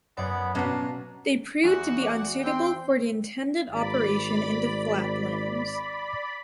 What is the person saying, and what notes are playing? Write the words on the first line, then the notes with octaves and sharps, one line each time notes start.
They proved to be unsuitable for the intended operation in the flatlands.
F#2 B3 C#5 D5
B2 C#4 D4 F#4 F5 A#5
E2 F#4 F#5
D5 D6
C4 G5 C6
G#1 D5 B5